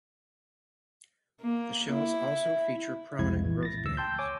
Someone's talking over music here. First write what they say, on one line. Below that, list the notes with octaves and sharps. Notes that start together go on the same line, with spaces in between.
The shells also feature prominent growth bands.
A#3
E4
C2 F2 G#3 E4 G#6
A#2 E3
A6 A#6
D2 E6
G5 A5 C6 E6 G6
C#5 G#5 D6